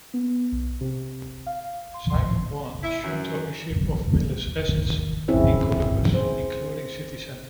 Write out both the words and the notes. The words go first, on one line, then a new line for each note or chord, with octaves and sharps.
Simon won and assumed ownership of Mills' assets in Columbus, including City Center.
B3
B1
C3
F5
C6
C6
E4
F#2
D#3
C4 C#4 E4 G#4 C#5 E5
G#4 C5